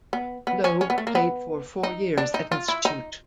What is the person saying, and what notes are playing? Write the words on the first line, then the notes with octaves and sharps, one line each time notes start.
Logue played for four years at Institute.
B3
B3
C#4
C#4
B3
A3
A#3
B3
D#4
D4
D#4
F4
E4
D#4